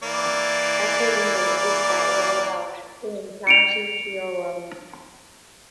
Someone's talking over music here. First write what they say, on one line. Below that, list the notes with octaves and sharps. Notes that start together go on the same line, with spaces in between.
That's what Windows Vista is all about: bringing clarity to your world.
E3 A#3 D5
C#7 D7 F7